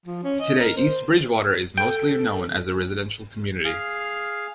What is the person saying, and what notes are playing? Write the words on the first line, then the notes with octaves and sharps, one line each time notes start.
Today, East Bridgewater is mostly known as a residential community.
F3
C#4
D#5
A#4
C5
A4 G5
G#4 F5 F6